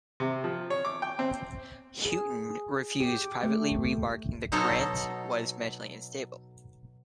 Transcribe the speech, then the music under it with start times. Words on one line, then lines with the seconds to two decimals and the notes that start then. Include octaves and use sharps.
Houghton refused, privately remarking that Grant was mentally unstable.
0.20 C3
0.44 F3
0.70 C#5
0.85 D6
1.02 G5
1.19 C4
2.05 G#4
3.00 G4
3.43 A3
4.52 B2 F#3 D#4 A4 C5 C#5